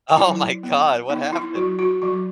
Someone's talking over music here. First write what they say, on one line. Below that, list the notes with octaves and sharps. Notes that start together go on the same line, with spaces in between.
Oh my God, what happened?
F#3 E4
B3
B3 D#4
E4
F#3 F#4
F#4
F#3 F#4